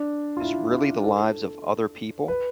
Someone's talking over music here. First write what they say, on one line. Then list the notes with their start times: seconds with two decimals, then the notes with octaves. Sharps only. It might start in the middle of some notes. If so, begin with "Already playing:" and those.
is really the lives of other people.
Already playing: D4
0.37 F4
0.41 E4
0.72 F4
1.04 A4
2.28 B4